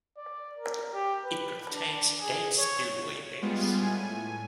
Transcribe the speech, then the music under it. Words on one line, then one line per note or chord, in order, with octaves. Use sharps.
It contains eight spillway bays.
D5
A#4
G4
B4
D4
G#4
C#5
G3 G#3 B3 F4
A2 G#5